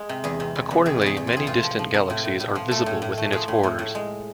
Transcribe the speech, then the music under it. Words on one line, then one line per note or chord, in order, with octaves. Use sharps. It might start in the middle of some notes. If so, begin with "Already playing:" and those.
Accordingly, many distant galaxies are visible within its borders.
Already playing: G#3
C3
E2 G#4
C3
E2
E2
C3 G#4
E2 G#4
E2
F4
C3 G#4
A2 F4
F3
F3
F3
A2
A2
A2
F3
A3 A4
A2
A2
A3
F3 G#4
A2
A2
A2
G#3